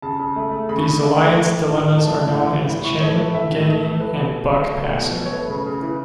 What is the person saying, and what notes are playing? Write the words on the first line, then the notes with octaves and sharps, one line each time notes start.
These alliance dilemmas are known as chain ganging and buck passing.
C#3 A5
C#3
A3
A3
C#3 B5
C#6
C#3 B5
A3
A3
A3 C#6
A2
A2
E3
A3 A5
A2
A2
E3
A2 B5
A2 C#6
A3 C#5
A3 B4
A2 E5
A2
A3
A3
A3 B4
B2
B2
F#3
A3
B2
B2
F#3
C#5
A3 B4
C#3
C#3
E3